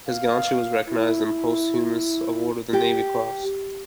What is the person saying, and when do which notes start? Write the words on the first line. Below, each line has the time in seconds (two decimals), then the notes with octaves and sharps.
His gallantry was recognized in the posthumous award of the Navy Cross.
0.06 F5
0.87 E4
2.73 G4